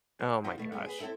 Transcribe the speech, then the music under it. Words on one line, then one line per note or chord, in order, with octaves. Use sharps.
Oh my gosh.
G#4 F#5
F3 F#3 B3 D#4 F4 C5
B2 A3
G2 B3 C4 G#4
G#4 B4
C4 E4 G4 A4 E5